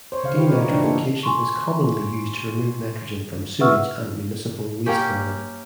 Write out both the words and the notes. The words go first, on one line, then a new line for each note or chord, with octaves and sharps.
Denitrification is commonly used to remove nitrogen from sewage and municipal wastewater.
C5 C#5
C#3 C5 F5
F4 G4 B4
A3 D#4 F#4 C5 C#5
E3 D4
A#3 D#4 G4 A4
G#5 C6 C#6
B4 E5 F#5 C#6 E6 F6
A#3 C#4 G4